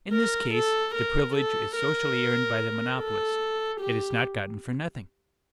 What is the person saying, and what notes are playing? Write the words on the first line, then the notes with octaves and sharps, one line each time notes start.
In this case the privilege is socially earned by the monopolist; it is not gotten for nothing.
A#4
A4
A#4
A4
A#4
A4
G4